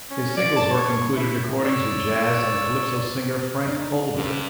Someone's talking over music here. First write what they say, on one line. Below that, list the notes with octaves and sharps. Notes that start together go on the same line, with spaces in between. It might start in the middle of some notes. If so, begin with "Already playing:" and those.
His singles work included recordings with jazz and calypso singer Frank Holder.
C#4
D5
A5
C#5
E4
C#5 D5 E6
D4 D#4
G2 C#3